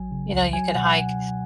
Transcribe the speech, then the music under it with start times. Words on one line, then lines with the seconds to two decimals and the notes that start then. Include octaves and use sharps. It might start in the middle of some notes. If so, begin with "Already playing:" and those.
you know, you could hike.
Already playing: A1 F#3 G#5
0.12 C#3
0.33 C#2
0.53 F#3 G#5
0.75 B2 F#5